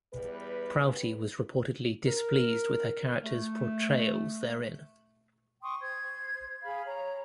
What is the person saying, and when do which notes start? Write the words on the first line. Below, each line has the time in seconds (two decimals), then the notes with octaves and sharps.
Prouty was reportedly displeased with her characters' portrayals therein.
0.13 E2 G3 B4
2.05 A#4
3.23 A3
5.62 G5 C6 C#6 D#6
5.80 C5 G#6
6.63 G#4 F5 B5
6.85 C#5 A#5